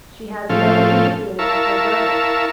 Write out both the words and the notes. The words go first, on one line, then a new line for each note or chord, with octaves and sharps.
"She has no influence with her brother."
A2 F3 C4 C#4 A4 F5
E4 A#4 F5 A5 C#6 E6